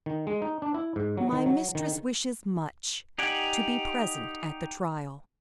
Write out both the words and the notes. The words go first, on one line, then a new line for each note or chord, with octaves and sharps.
"My mistress wishes much to be present at the trial."
D#3
G#3
D#4
D4
E4
G#2
F#3
D#3
F#3
D#3
D#4 G4 D5 F#5 G#5